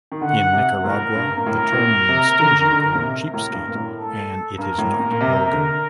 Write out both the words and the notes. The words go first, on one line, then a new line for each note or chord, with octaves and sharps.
In Nicaragua, the term means "stingy" or "cheapskate" and it is not vulgar.
D#3
D3 F#5
C3
A2 A#4
G2
A#2
A2 A#4
A2
A#2
C3
D3
D#3
D3
A#2
C3
A2 A#4
G2
A#2
A2
A4
G2 A#4
A2
A#2
A#2
C3
D3